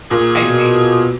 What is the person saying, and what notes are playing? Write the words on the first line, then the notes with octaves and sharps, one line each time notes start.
I see.
A#2 G#4
B2